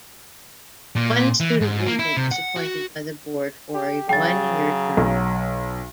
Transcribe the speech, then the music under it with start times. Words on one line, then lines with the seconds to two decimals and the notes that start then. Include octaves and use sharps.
One student Regent is appointed by the Board for a one-year term.
0.96 A#2
1.40 E3
1.61 G#2
1.86 A#3
1.99 E4
2.17 C3
2.32 F#5
2.56 F#4
3.74 G4
4.09 C#3 F#3 G5 A6
4.97 B1